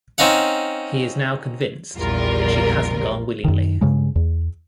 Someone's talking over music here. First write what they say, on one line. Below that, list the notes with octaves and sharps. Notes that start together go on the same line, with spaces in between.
He is now convinced that she hasn't gone willingly.
C4 C#4 D#4 F5 F#5
A#1 E2 G3 F4 A#4
F#2 D#3
G2 C#3 G#3
E2